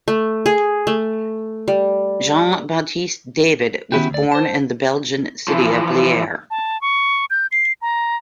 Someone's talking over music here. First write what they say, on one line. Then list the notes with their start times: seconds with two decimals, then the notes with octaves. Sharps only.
Jean-Baptist David was born in the Belgian city of Lier.
0.08 A3
0.46 G#4
0.87 A3
1.68 G3
3.92 D#3 B3 C#4 E4 F#4 G4
4.10 D2 D5
4.32 C5 A5
5.48 E3 F3
6.51 A5
6.82 C#6
7.30 G6
7.52 C7
7.82 A#5